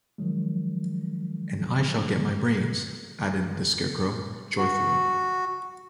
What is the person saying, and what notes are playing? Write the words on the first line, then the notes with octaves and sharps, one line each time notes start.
"And I shall get my brains," added the Scarecrow, joyfully.
D#3 F3 F#3 G#3
F#4